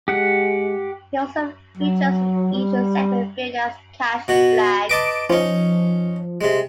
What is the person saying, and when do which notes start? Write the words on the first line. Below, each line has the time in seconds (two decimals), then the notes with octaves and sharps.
He also features in each segment, billed as Cash Flagg.
0.08 G#3 G4 F#5
1.77 F#3
2.53 G3
4.28 B2 F#4
4.89 B4 D#5 A5 D6 D7
5.30 F3 C#4 D#4
6.41 C3 G#3